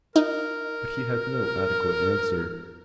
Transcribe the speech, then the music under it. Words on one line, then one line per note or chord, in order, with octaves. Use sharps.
But he had no adequate answer.
D#4 A#4